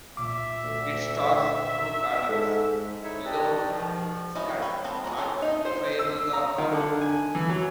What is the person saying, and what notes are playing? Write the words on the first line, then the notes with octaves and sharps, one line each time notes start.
It stars Brooke Adams, Ione Skye, and Fairuza Balk.
C2 A#2 E5 D6
D2
G#2 A4
G#3 D#4 E4 C#5 E5
G4 B4 D5 D#5 G5 A5
G#2 B2 D#3 F3
G#3 C#4 D#4 E4 F#4
B4 C#5 G5
B3 C4 A4
G#4 D5 F#5 A#5
C#4 G#4 A4 C5
D#4
C5
E6
A#5
D#3
D3
G#5
E3
F#3